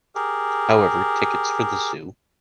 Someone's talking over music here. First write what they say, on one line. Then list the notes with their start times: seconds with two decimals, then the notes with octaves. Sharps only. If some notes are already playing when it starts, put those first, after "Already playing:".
However, tickets for the zoo?
0.15 G4 G#4 A#4